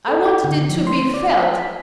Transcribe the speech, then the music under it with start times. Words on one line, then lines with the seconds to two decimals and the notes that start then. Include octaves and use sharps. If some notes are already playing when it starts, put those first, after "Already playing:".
I wanted it to be felt....
0.08 A4
0.44 D3
0.70 F3
0.87 C6
1.14 D5
1.40 B6